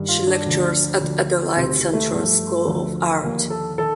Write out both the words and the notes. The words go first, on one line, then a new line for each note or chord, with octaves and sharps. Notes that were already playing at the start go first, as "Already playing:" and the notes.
She lectures at Adelaide Central School of Art.
Already playing: G2 D#3
F4
D4
D2 D3 F3
D2 D3 F3
D2 C3 D#3 C4
A3
G2 F3 A3
D2 D3 F3
D#2 D3 F3 A#3
A4
D#3 A4